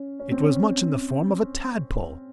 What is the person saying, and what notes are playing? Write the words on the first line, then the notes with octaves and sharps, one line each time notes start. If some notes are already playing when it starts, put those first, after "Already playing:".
It was much in the form of a tadpole!
Already playing: C#4
C#4
C4
C#4